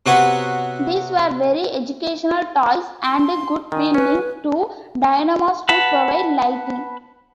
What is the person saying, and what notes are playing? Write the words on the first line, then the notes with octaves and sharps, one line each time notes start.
These were very educational toys, and could be linked to dynamos to provide lighting.
C3 B3 F#4 B4 C#5
C6
D#3 G#5
C#4 B4
B4 F#5 A5 B5